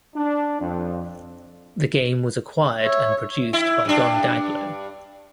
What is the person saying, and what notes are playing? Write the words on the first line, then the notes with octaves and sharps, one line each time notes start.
The game was acquired and produced by Don Daglow.
D4
F2
C#5 E5
E4
G2 D4